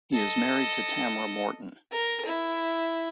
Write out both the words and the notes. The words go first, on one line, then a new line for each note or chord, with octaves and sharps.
He is married to Tamra Morton.
A4 D#5
A#4
E4